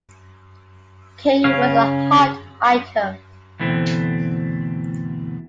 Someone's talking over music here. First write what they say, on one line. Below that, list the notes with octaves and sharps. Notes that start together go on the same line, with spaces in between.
King was a hot item.
C#3 C#4 F5
D2 B2 E3 A3 C4